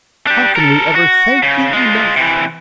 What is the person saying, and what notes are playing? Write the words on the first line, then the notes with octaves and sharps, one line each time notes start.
"How can we ever thank you enough?"
D4 G4
A4 A#4
F#4
C#3
G#3 F4
C3 E3